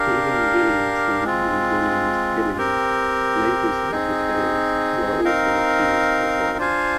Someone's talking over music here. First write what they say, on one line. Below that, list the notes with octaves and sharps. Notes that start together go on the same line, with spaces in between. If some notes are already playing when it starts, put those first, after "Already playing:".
William Williamson and William Skillion, neighbours of the Kellys, were also accused of violence.
Already playing: D4 G4 A#4 F5
G#3 C4 F4
C4 G4 A#4
C4 D#4 G#4
C4 D#4 A#4 F5
D4 F4 C5 F5 G#5